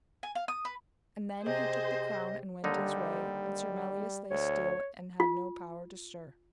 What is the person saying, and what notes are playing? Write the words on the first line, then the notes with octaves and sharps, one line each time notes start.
And then he took the crown and went his way; and Sir Melias lay still and had no power to stir.
G#5
F5
D#6
B4
C3 G#4 C5 D#5
D#2 D3 G3 D#4
D2 C#5
F4